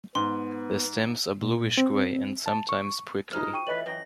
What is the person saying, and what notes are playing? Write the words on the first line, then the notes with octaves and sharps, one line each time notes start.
The stems are bluish-grey and sometimes prickly.
G#2 B3 C6
A#2
C4
A5
C#6
G#3 D#4 F4 F#4 C5 F6
G5 C#6 D#7
E3 A3 B4 C#5 D#5 G5 F#7
F#2 E3 B4 G5 A#5 A#6